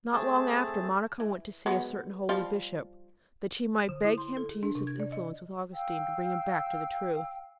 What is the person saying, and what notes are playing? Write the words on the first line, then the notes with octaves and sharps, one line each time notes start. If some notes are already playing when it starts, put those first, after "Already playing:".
Not long after Monica went to see a certain holy Bishop, that she might beg him to use his influence with Augustine to bring him back to the truth.
A3 C4 G#4 A5
E3
F#3 G#3 B3
F3 G3 F4
D3
E4
C6
A4
G#4
D4
C3
G#6
D5
D#5
F5 G5 E6